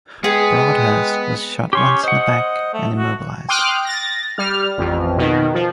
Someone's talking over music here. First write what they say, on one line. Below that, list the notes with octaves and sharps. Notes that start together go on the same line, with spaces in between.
Broadhurst was shot once in the back and immobilized.
G#3 B3 G#4 G5 D#6
C#4 G4 C6 C#6
C5 D#5 F#5
A3
F#4
G5 C6 D6 D#6 F6 F#6
A6 A#6
G3 F6
A1 F2
B2 D#3
F3